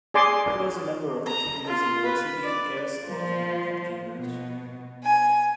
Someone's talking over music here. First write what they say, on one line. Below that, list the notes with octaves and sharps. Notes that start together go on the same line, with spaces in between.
He was a member of the Cambridge University Air Squadron at Cambridge.
G#4 D5 G#5 C6 D6
A#5
F4
B4
D5
F3
B2
G#5